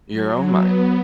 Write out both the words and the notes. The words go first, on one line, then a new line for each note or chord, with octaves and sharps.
your own mind?
F#3
B3